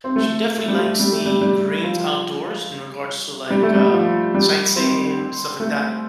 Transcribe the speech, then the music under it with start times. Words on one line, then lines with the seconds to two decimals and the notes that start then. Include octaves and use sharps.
she definitely likes the great outdoors in regards to, like, um, sightseeing, stuff like that.
0.04 C4
0.16 A3
0.58 A3
0.68 G3
0.79 A3
0.99 G3
1.12 A3
1.26 G3
1.41 G3
1.83 F3
3.50 G3
3.63 A3
3.75 G3
3.92 F3
4.34 G3
4.76 C4
5.60 A3